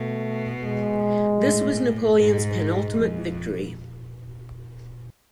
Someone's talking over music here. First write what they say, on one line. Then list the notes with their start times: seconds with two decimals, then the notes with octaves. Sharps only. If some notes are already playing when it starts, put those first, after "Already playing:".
This was Napoleon's penultimate victory.
Already playing: B2 A3
0.63 G#3
1.40 A2
2.16 G#2 G#3
2.93 F2